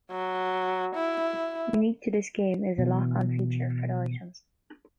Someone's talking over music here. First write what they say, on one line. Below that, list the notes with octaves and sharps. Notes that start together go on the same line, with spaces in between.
Unique to this game is a lock-on feature for the items.
F#3
E4
B2 E3